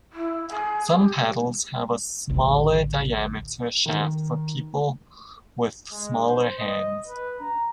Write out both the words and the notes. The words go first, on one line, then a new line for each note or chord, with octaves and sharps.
Some paddles have a smaller diameter shaft for people with smaller hands.
E4
G#4
G4
A1 D2
D#3
G#3
C5
D#5
B4
A#5